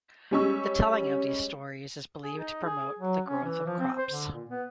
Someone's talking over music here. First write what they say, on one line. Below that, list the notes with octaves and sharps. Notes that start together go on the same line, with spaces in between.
The telling of these stories is believed to promote the growth of crops.
G3 G#3 C#4 C#5 C#6 E6
G#4
D#4
G#4
F#3
C#4
E3
F3
C4
C5
D3
A#2
B3